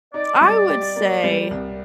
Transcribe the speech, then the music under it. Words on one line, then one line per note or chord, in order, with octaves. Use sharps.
I would say,
D#4 D5
G3
G4
A#3
G3
C2